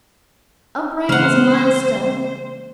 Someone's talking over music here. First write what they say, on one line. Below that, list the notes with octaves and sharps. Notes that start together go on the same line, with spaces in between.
Upright as a milestone.
C#3 E3 G#3 A#3 C5 F5 F#5